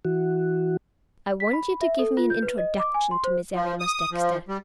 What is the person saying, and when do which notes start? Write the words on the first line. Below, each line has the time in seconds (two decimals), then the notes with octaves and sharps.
"I want you to give me an introduction to Miserrimus Dexter."
0.05 E3 F#4
1.40 B6
1.53 B5
1.81 E5
1.99 A4
2.17 F4
2.30 G6
2.42 B4
2.58 D#5
2.79 D6
2.94 G#5
3.11 C6
3.24 C5
3.54 F3
3.80 D#6
4.12 F3
4.49 G3